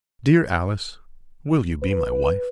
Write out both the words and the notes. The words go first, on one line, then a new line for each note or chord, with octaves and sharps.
Dear Alice, will you be my wife?
B4